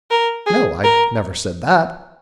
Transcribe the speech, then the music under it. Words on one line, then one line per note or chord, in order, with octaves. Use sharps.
"No, I never said that."
A#4
G#4
A#4